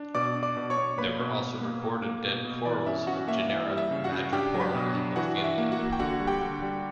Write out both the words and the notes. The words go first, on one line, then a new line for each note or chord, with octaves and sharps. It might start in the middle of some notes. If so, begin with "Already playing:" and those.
There were also recorded dead corals of genera "Madrepora" and "Lophelia".
Already playing: D4
B2 D5 D6
D4
D5 D6
B2
C#5 C#6
B2
A#3 B4 B5
B2
B2
A#3
A#3
A#3
B2
B2
E3 D5
C#4 E5
C#4 F#4 F#5
A#3 E5
E3 E5
G3
E5
C#3
F#4 F#5
C#3
D4 G4 G5
F#3
B4 B5
B2
D4
E3 F#4 F#5
E3
E5
A#3
F#4 F#5
A#3
G5
D3 F#4 F#5
G3
G4 G5
D3
G3